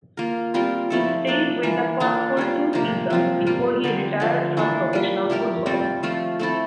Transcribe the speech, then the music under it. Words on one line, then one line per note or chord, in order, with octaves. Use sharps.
He stayed with the club for two seasons before he retired from professional football.
A#3 F4 A#4
G3 C4 F4 A#4
F3 A3 E4 A4
A#3 D4 A4
E3 A#3 F4
A#3 D4 F4 A4
G3 C4 F4
C3 F3 A#3
F3 C4 F4
G3 A#3 F4
D3 G3 C4
D3 F3 A3
E3 A#3 D4 A4
G3 A#3 F4
A3 E4 G4 A#4
G3 C4 F4 A4
F3 A3 C4 F4
A3 C4 E4 A4